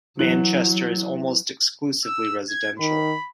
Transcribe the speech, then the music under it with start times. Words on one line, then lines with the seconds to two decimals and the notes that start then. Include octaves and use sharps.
Manchester is almost exclusively residential.
0.19 E3 F#3 F#6 F#7
2.06 E6
2.49 G#6
2.80 D#3 B5